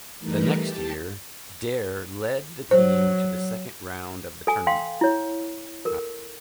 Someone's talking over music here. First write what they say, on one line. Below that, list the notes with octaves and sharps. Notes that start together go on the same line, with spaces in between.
The next year, Dare led the team to the second round of the tournament.
E3 G3 A3 D#4 A#4 B4
G4 A5
F#3 C5
A4 G#5
F5 G5 C6
E4 C#5
A4 A#4